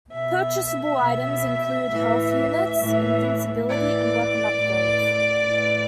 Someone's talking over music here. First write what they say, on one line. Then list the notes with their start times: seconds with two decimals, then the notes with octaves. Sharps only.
Purchasable items include health units, invincibility, and weapon upgrades.
0.12 B2 E5
1.01 B2
1.90 A2 E3
2.80 A2 E3
3.69 A2 E3 D5
4.57 A2 E3
5.47 A2 E3